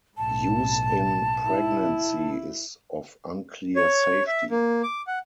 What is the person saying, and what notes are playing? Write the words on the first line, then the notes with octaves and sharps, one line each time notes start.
Use in pregnancy is of unclear safety.
B1 A2 A5
E4
C#5
E5
A#3
D6
F#5